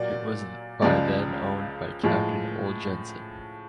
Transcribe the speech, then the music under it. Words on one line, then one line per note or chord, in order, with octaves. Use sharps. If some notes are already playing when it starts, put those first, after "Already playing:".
It was by then owned by captain Ole Jensen.
Already playing: A#2 F#3 A#3 D5
C#2 C#3 F3 G#3 D5
A2 F3 G#3